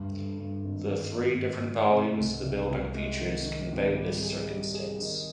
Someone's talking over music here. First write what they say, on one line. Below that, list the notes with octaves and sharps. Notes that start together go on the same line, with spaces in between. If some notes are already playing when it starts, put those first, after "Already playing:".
The three different volumes the building features convey this circumstance.
Already playing: D2 G2
G2
G2
G#1
D#3
G#1
G#2
G#2
C3
C2
C2
C2
G#3
D#3
D#3
G#1
G3
G#4
G3
G#4
D#3